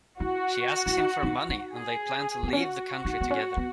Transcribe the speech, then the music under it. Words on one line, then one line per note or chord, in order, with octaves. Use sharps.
She asks him for money and they plan to leave the country together.
E4 F#4
E4
D#4
D#4
D#4
G#4
B3
C#4 F#4
D#4
B3
C#4
B3